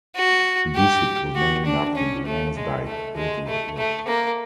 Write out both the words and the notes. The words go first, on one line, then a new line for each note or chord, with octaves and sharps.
The district was named after the Wansdyke earthwork.
F#4
G4
F#4
D4
C#4
A3
G#3
A3
G#3
A3
A3
A#3